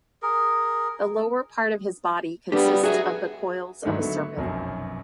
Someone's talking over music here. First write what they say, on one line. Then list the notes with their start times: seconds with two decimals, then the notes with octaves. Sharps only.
The lower part of his body consists of the coils of a serpent.
0.22 G#4 A#4
2.52 G3 B3 D4 G4
2.84 F#3 F#4 G#4 E5
3.83 G#2 D#3 F#3 A3 D4 D#4
4.00 D3 F#3 A3 B3
4.37 F1 B1 F#2